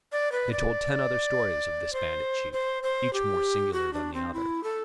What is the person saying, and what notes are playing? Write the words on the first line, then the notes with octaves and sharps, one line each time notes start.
They told ten other stories of this bandit chief, each more singular than the other.
D5
B4
D5
C5
C5
C5
G4
F#4
D4
C4
E4
A4